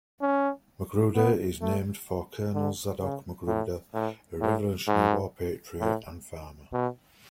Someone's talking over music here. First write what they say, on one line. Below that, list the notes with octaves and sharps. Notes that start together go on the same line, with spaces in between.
Magruder is named for Colonel Zadok Magruder, a Revolutionary War patriot and farmer.
C#4
B3
A3
D3
C#3
A2
A2
A2
G#2
A2
B2